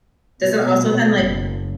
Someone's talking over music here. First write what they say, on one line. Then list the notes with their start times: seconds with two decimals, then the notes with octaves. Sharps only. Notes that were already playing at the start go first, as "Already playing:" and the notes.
does it also then, like
0.43 B2
1.18 F#1